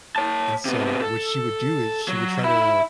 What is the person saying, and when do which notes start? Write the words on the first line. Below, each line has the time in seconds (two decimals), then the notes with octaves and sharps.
and, so, what she would do is she would try to
0.16 C#5 A5
0.65 C3 B3
1.02 A4
2.08 F#3
2.44 E5 B5